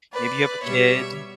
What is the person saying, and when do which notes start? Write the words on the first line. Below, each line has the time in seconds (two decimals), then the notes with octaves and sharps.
maybe you have a kid,
0.13 B4 D5
0.63 B2 G3 C#5 E5